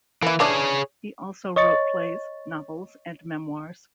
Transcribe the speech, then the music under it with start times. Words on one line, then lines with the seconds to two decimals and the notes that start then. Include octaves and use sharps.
He also wrote plays, novels and memoirs.
0.22 E3 A#3 E4
0.40 E3 D4 E4 G#4 C#5
1.56 C#5 D#5 C#6 A6